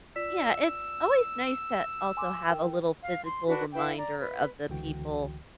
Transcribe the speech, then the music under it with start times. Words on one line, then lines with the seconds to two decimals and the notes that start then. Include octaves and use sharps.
Yeah, it's always nice to also have a little physical reminder of the people
0.16 F4 D5 E6 B6
2.17 G#5 C6 D6
2.49 A#4 G5
3.01 F5
3.24 C6
3.47 D4 F#4 B4
3.74 E4 B4 F5 G5
3.97 D5 A#5
4.20 B4
4.69 C#2 D3 E3 F#4 G5